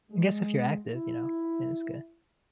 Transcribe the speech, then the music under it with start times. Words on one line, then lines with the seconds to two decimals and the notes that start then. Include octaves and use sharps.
guess if you're active, you know, then it's good.
0.11 G#3
0.87 E4